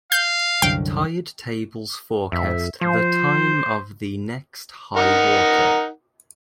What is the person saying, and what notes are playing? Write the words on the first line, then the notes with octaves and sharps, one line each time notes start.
Tide tables forecast the time of the next high water.
F5 G6
C2 F#2 D3 G5
F2 E5
F3 C5
D#4 A#4 F#5